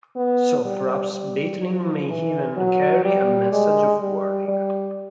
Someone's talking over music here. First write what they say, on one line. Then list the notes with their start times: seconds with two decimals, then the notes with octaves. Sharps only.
So, perhaps, Battling may even carry a message of warning.
0.16 B3
0.65 G3
1.12 G3
1.60 F3
2.08 E3
2.57 F#3
3.05 G3
3.52 G#3
4.00 G3
4.48 G3